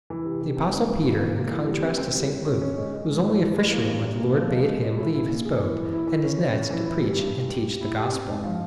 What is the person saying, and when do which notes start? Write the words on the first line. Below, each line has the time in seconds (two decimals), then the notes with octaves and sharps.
The Apostle Peter, in contrast to St. Luke, was only a fisherman when the Lord bade him leave his boat and his nets to preach and teach the Gospel.
0.10 E3
0.26 C3
0.42 C3
0.57 C4
0.72 G#2
0.88 C4
1.04 E3
1.20 A#3
1.35 A#3
1.51 E3
1.67 G3
1.82 C4
1.98 C4
2.14 G3
2.30 G3
2.46 C#4
2.62 C#4
2.77 G#3
2.93 G#3
3.09 G#2
3.24 E3
3.40 G3
3.56 E3
3.72 A#3
3.87 G2
4.03 G3
4.19 A#3
4.34 F3
4.50 G#3
4.66 G#3
4.82 G#3
4.97 E4
5.13 E4
5.28 A#2
5.45 G#4
5.61 E3
5.76 E3
5.92 E4
6.07 E3
6.23 C#4
6.39 C#4
6.54 E3
6.70 E3
6.86 E4
7.02 G3
7.17 G2
7.34 G3
7.49 G4
7.65 G3
7.81 E4
7.96 G4
8.13 C4
8.27 G#2
8.44 F3